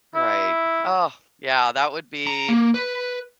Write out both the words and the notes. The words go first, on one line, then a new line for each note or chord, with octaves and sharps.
Right. Ugh, yeah, that would be
E4
A#5
A#3
B4